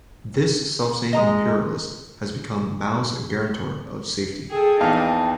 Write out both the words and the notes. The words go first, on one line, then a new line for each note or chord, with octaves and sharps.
This selfsame imperialist has become Mao's guarantor of safety.
G#3 D#5 A#5 D#6
G#4 A4 G5
A#1 E2 D#4 F5 A5